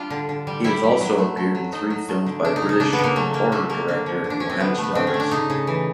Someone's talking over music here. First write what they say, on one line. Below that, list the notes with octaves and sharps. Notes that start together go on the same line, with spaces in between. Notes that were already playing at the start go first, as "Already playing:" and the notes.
He has also appeared in three films by British horror director Johannes Roberts.
Already playing: G3 D4 F4
D3
D3
G3
G3 E4
G3
F#3
A3
A3
F#3
F#3 D#4
F#3
A3
D3
C#3 D4
D#4
C#3
D#4
C#3 D4
B3
C#3
A#3
F#3 A3
F#3 A#3
C#3 A3
A3 A#3
D3 A#3
F3
D3
D4
F3 C#4
C4
D3 B3
A3
B3
D3 C4
C#4
A3
D4
C#3 D#4
C#3
E3